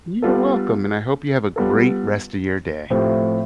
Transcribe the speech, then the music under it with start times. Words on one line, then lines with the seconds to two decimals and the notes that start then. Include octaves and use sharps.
You are welcome, and I hope you have a great rest of your day.
0.22 G3 B3 F4 A4
1.56 G3 B3 F4 A4
2.90 A2 F3 A3 C4 G4